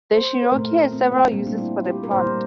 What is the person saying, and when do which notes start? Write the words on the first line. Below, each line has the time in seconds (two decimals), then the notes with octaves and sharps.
The Cherokee had several uses for the plant.
0.12 C5
0.52 A#2 A3 A#4
0.92 C4
1.12 A#3
1.32 A#2 G3 A#3 C4
1.47 D4
1.58 E4
1.85 G4
2.04 A#4
2.11 A#2 G3 A#3 C5